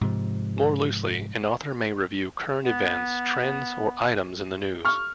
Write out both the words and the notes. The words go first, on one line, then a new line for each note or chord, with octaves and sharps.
More loosely, an author may review current events, trends, or items in the news.
G#2 C3 F3
B3
C#6 F6